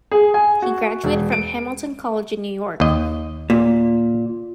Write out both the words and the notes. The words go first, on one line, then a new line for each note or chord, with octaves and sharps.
He graduated from Hamilton College in New York.
G#4
G#5
F#4
E1
D7
D#2 D#5
A#2